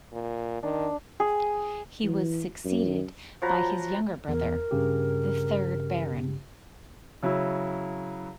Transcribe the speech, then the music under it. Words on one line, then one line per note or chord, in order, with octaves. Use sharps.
He was succeeded by his younger brother, the third Baron.
A#2
D#3 D4
G#4
E3
F#2
F3 F#3 B4 A#5
E2 A#4
G2 C#3 G4
C#3 F#3 E4